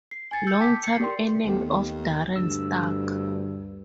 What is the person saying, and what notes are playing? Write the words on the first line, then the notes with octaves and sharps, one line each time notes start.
Longtime enemy of Darren Stark.
C7
G#5 G#6 A6 C#7
E6 G6 A6 C#7
G5 A5 D6 G6 B6
C7 C#7
G4 A#4 D5 G5 C6
D#2 A3 B3 G4
D2 G2 E6